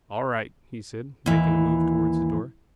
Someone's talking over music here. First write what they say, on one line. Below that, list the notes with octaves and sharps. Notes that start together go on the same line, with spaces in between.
"All right," he said, making a move towards the door.
D#2 E3